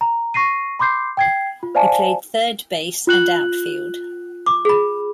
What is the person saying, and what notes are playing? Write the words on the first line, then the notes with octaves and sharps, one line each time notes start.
He played third base and outfield.
A#5
C#6 A#6 C7 D#7
B5 C6 D6 G6 C7
G5 G#6 C7
F4
C5 D5 F5 G#5 A5
F4 F#6 F#7
D6
G#4 B5